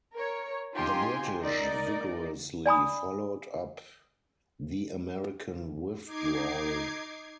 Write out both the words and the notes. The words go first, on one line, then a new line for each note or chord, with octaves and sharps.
The British vigorously followed up the American withdrawal.
A#4 C#5
D#4 F4 G4 G#5 C6
D#4 A#4 D5 D#5
D5 G#5 B5 D#6
D#4 D6 G#6 C7